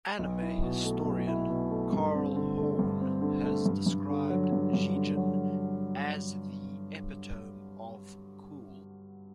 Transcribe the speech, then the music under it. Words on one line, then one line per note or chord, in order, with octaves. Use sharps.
Anime historian Carl Horn has described Jigen as "The epitome of cool".
B1
E4
B2
A3
B1
E4
B2
A3
G2
C4
D3
A3
G2
C4
D3
A3
G2
G2
D3
F#3
G2
G2
D3
F#3